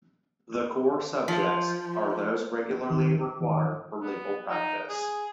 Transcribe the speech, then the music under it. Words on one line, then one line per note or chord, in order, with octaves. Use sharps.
The core subjects are those regularly required for legal practice.
F3
B3
D#4
G#4